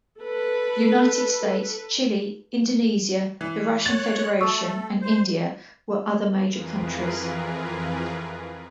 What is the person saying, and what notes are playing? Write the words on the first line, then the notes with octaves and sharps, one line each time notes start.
The United States, Chile, Indonesia, the Russian Federation and India were other major countries.
A4 B4
E3
C#5 F#6 A6
A3 A4 C#6 D#6 E6
C5
F2 E3 F4 G#4 A#4 B4